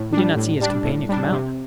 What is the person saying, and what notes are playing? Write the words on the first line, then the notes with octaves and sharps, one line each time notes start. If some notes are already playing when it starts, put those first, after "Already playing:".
"We did not see his companion come out."
Already playing: A2
G3 D4
A2
G3 D4
A2
G3 D4
C3